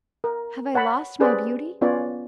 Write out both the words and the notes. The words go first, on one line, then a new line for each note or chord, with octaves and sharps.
Have I lost my beauty?
A#4
C#5 F#5 A5 B5
C#4 G4 G#4 B4 C5 D5
B3 C#4 F4 B4 C#5 D5